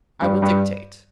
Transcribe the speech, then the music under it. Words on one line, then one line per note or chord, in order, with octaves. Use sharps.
"I will dictate."
G2
G2